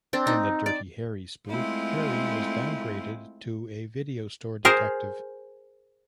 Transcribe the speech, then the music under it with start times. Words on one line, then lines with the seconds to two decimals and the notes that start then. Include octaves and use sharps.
In the "Dirty Harry" spoof, Harry was downgraded to a video store detective.
0.13 C4 D4
0.27 D#4
0.66 D5
1.49 G#3 A3 C4 E4 F4
4.65 G#4 A#4 C5